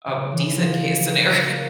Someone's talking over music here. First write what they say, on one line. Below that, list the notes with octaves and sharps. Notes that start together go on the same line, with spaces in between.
a decent case scenario
C#3
E3
F3
A#3